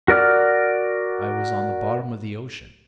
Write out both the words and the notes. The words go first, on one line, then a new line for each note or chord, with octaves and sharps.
I was on the bottom of the ocean.
F#4 A#4 D5 F6